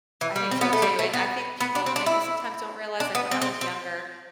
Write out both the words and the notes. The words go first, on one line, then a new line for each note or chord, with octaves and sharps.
I think so too, and I think people, maybe sometimes, don't realize like, when I was younger,
E3
G3
C4
B3
A3
G3
A3
B3
B3
D4
C4
D4
E4
D4
B3
C4
C4
C4